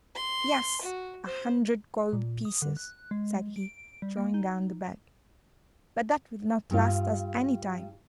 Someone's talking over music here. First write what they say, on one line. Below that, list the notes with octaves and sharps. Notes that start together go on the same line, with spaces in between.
'Yes, a hundred gold pieces,' said he, throwing down the bag, 'but that will not last us any time.
C6
F#4
C5
A#2
D#6
D3
F#6
G#3
D7
G3
A#3
D#4
G2 F4